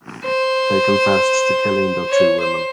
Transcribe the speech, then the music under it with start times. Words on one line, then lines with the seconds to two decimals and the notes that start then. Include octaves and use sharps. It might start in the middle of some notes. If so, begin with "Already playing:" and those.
They confessed to killing the two women.
0.25 C5
2.10 C#5
2.40 C5